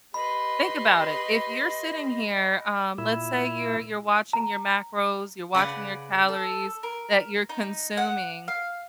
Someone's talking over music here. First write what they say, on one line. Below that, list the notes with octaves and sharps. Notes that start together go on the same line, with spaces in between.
Think about it. If you're sitting here, um, let's say you're you're watching your macros, you're watching your calories that you're consuming.
G4 B4 D#5 B5 C6
A#2 E4
A#5
C#3 B4 D5 F#5
A4
A#4
D#4
F#5
F5